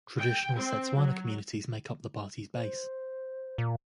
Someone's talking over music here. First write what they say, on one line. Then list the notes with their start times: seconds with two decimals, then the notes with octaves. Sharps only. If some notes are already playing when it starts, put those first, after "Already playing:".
Traditional Setswana communities make up the party's base.
0.18 G5
0.56 C4
0.97 F#3
2.55 C5
3.58 A#2